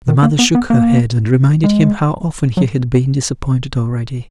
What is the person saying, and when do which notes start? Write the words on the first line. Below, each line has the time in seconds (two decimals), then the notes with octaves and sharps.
The mother shook her head, and reminded him how often he had been disappointed already.
0.08 D#3
0.23 A#3
0.39 B3
0.55 B3
0.70 A#3
1.64 G#3
2.57 F#3